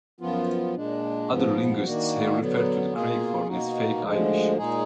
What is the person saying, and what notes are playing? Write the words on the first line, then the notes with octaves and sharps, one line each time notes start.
Other linguists have referred to the "craic" form as "fake Irish".
F#2 F3 B3 F4
A#2 G#3 D4
G#2 F3 B3
D#3 A#3 D4 F#4
D3 F#3 B3
B2 A#3 F4 G#4
B2 A#3 D#4 F#4
D2 D3 F3 G#3
A#2 G#3 D#4 G#4